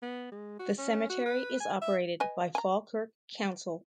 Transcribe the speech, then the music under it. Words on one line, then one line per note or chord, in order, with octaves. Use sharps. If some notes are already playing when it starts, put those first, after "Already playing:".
The cemetery is operated by Falkirk Council.
B3
G#3
F#4
C#4
F#4
B4
G#5
E5
B4 D#5 G#5
G#5 A#5